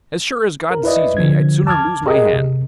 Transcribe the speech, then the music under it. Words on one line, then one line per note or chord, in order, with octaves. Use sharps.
As sure as God sees me, I'd sooner lose my hand.
A#4
E4 B4 D5 D#5
D3 F3 G#6
A5 D6 F6 G#6
G4 G#4 A#4 D#5
C3